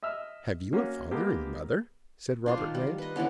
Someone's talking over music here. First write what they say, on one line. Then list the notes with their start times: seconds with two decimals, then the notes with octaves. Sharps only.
"Have you a father and mother?" said Robert Grant.
0.03 D#5 E5 E6 F6
0.73 A#3 C#4 F#4
1.11 G#3 A#3 B3 G4
2.46 D4 F4 C5
2.58 D#3
2.75 G3
2.98 B4 D#5
3.16 D3 E3 B3 C#4